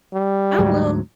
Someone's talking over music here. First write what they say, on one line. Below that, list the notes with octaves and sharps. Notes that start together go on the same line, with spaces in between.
I will
G3
D2 G#2 F#3